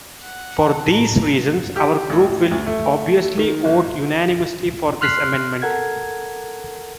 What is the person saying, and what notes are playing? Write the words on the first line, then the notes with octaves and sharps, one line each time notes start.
For these reasons our group will obviously vote unanimously for this amendment.
F#5
A5
A2 A#5
G4
A1
D2
A3
D#3
F#1
C6 F6 F#6 B6 C7
A4 A#4 F#5 G#6